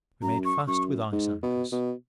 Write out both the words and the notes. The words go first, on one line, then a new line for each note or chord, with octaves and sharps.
We made fast with ice anchors.
F#2 A#5
C#6
F#2 C#6
G#2
B2
B2